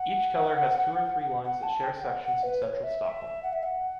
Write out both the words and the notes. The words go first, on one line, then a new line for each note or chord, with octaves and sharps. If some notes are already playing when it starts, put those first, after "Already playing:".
Each color has two or three lines that share sections in central Stockholm.
Already playing: F#5
F#5
A5
G5
F#5
F#5
B4
C#5
E5
E5
F#5
E5
F#5